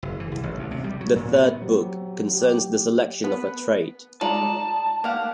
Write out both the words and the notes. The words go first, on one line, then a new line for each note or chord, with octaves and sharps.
The third book concerns the selection of a trade.
F#1
E3
C2
A1
D2
C3
G3
F#3
A#2
B3
F#3 G4 C5
G4
B3 B4
G#3 D#4 F4 D5 A5 A#5
A#3 G4 F5 F#5